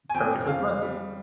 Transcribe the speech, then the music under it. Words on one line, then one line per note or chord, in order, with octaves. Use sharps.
Perfectly fine.
G#5
F2 G5
F2 F5
G3